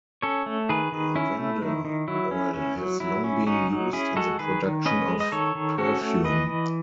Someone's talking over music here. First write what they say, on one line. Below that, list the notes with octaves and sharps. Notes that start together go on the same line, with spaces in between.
Lavender oil has long been used in the production of perfume.
C#4 A4 C#5
A3
D#3 G#4 B4
D#3
C#4 E4
A3
D#3
D#3
F#3 E4
C#4
C#4
F#3
F#3 E4
C#4
C#4 D#4 F#4
F#3
C#4 E4 G#4
G#3 F#4 A4
D#3 G#4 B4
D#3
C#4 B4 D#5
G#3
D#5
D#3 A4 C#5
D#3
C#4 F#4 A4
A3
E3 B4 D#5
E3